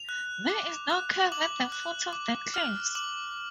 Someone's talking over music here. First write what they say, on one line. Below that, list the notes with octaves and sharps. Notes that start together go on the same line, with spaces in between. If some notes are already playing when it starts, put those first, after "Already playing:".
There is no cave at the foot of the cliffs.
Already playing: F7
F#6
D6
F#6
D6 F#7
F#6
D6
F6
D6 F#7